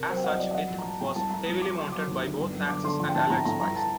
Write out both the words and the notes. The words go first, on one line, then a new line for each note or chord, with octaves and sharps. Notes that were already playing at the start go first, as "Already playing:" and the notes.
As such, it was heavily monitored by both Axis and Allied spies.
Already playing: C3 A#4
F#3 C5
G5
C2 F#5
D#5
F#3 D5
D#5
F#3 F#5
A#1
A#5
A#1 A5
A2 G5
C2 A5
C2 A#5
C2 D#6
F#3 D6
F#3 C6
F#3 D6
D#2
D3
G1
F#2
D3 D6
D3 C6
A#1 C6
G5
A2 A5
A2 A#5
A2 A#5
G1 A#5
A5